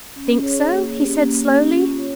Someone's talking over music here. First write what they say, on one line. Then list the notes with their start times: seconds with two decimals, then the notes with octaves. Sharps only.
"Think so?" he said slowly.
0.16 C#4
0.42 G#4 C#5
0.68 A#3
0.94 C#4 G4
1.20 A#3
1.46 C#4 G4
1.72 F4
1.98 C#5